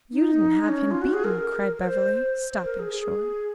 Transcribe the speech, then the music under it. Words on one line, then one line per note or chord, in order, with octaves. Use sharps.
"You didn't have him beaten?" cried Beverly, stopping short.
D#4
D#4
C#4
F4
F#4
G#4
A#4
A#4
C5
C5
A#4
G#4
G#4